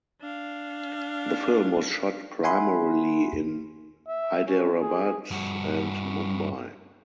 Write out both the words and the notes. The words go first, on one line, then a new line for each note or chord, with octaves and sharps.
The film was shot primarily in Hyderabad and Mumbai.
D4 F5
E5 F#5 G#5 B5 C6
E5
C#4
G#4
G2 F#4